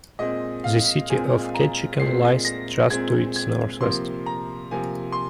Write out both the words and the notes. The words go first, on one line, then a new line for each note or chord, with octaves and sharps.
The city of Ketchikan lies just to its northwest.
A#2 G#3 C4 D#5
F5
A#2 G#3 C4 G#5
A#5
A#2 G#3 C4 C7
A#6
A#2 G#3 C4 G#6
G#6
C3 F3 A#3 C6
A#5
C3 F3 A#3 G#5
C6